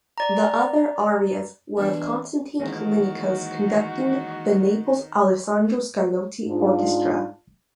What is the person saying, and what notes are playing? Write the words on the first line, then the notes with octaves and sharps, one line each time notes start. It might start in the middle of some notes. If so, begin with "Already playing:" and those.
The other arias were of Constantine Callinicos conducting the Naples Allesandro Scarlotti Orchestra.
D5 A#5
B2 E3 G#3 D4
D#3 E3 G#3 A#3 F#4
G#2 D4 F4